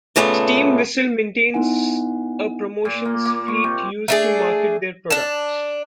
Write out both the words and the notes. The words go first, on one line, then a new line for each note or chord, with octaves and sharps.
Steam Whistle maintains a promotions fleet used to market their products.
A#2 C#3 A3 B3
B3 D#4 E4 F#5 G#5
A#2
A#3
A#3
C#6
C3
A3 D4 G#4
D4 A5